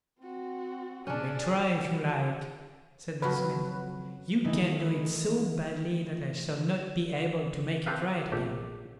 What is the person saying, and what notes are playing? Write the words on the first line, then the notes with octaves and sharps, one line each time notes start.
'You may try, if you like', said the Smith; 'you can't do it so badly that I shall not be able to make it right again.'
C4 F#4
C#4 D4 G#4 D5
F#4
F2 C#3 F#3 F#4 B4
D#3 E3 A3 D#4 E4
C4 G4 A4 B4 E5 F5
A#1 A3 G4